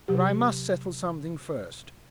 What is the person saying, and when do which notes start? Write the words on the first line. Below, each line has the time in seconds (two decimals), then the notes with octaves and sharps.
But I must settle something first.
0.08 C3 F#3 G4